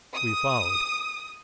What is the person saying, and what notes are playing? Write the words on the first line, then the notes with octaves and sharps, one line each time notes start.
We followed.
D#6